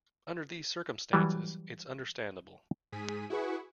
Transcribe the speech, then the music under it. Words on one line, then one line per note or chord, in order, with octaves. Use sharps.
Under these circumstances it's understandable.
E3 F#3 G3
G#2 G#4 B6 D#7
E4 F#4 G#4 B4 C#6